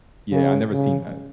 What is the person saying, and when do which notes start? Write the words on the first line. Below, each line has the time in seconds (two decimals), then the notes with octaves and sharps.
yeah, I've never seen that.
0.31 C#3
0.70 C#3